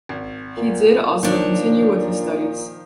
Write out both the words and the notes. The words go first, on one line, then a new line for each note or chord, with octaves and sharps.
He did also continue with his studies.
G#1
A#2
D#3 F3 D4 C#5